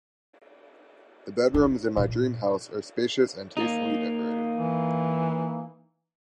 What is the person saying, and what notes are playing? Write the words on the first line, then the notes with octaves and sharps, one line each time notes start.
The bedrooms in my dream house are spacious and tastefully decorated.
D#4
A#2
A#3 D#4
E3